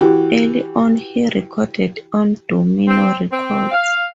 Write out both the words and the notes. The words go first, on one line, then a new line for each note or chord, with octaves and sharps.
Early on he recorded on Domino Records.
E3 F#4 G4
C4
C4
F5